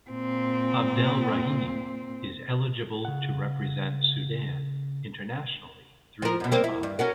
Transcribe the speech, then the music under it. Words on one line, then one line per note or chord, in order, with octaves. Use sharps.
Abdel Rahim is eligible to represent Sudan internationally through his father.
A#2 C4
C#3 F#5
F3 A#4
F#2 B2
G3 A#3 C4
E4
G2
C#4 F#4 A#4